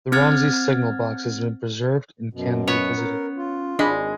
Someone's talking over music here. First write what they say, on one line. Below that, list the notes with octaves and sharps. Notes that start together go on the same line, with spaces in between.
The Romsey Signal Box has been preserved and can be visited.
C4 F6 G#6 A6
F#2 B2
B3 C#4 C#5
A#4
F4
G#1 G#3 D4 D#5 B5